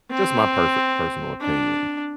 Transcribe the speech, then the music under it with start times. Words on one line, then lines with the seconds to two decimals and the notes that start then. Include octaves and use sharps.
Just my perfe personal opinion.
0.11 C4
1.41 D4